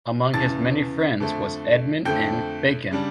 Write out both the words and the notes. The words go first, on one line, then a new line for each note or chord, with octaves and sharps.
Among his many friends was Edmund N. Bacon.
E2 C#3 E3 A5 A6
F2 D3 A3
F2 D3 A3 G5 G6
C#3 G3 D4